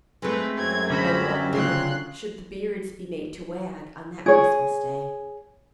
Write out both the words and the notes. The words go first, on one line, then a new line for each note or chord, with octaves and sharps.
By what mirth should the beards be made to wag on that Christmas Day?
G#3 A3 C4 B4
F#2 F#3 C4 G#6
D3 C#4 C5 A#5 B5
C#3 F4 C6 F#6
G#4 C#5